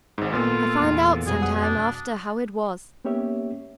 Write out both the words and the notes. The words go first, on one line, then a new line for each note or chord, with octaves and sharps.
I found out, some time after, how it was.
G#1 G#2
A#2 B3 F4 A4
E2
F2 B2 G3 G#4
F#5 D#6
D4
A#3 B3 C#4 G4 C#5 E5